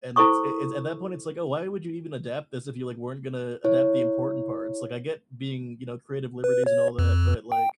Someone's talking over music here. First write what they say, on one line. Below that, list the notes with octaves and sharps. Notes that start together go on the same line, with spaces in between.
And it it at that point, it's, like, "Oh, why would you even adapt this if you, like, weren't gonna adapt the important parts?" Like, I get being, you know, creative liberties, and all that, but like
E4 A4 C5 C#6 D#6
E4 C#5
B4
C#5
F2
G5